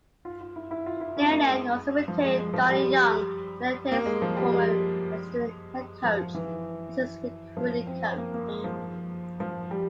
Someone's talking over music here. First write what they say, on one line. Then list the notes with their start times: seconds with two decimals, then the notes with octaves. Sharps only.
Nehlen also retained Donnie Young, Cignetti's former assistant head coach, as his recruiting coach.
0.25 F4
0.41 F4
0.56 E4
0.71 E4
0.86 F4
1.01 E4
1.17 C#4
1.31 A#3
1.47 G#3
2.08 F3
2.24 G#3
2.39 G#3
2.54 F3
2.69 G3
3.92 A#3
4.06 G#3
4.22 F3
4.37 G3
4.53 G#3
6.04 F3
6.34 E3
7.57 F3
7.87 C4
8.18 A#3
8.34 A#3
8.48 G#3
8.64 F3
9.40 F3
9.71 G3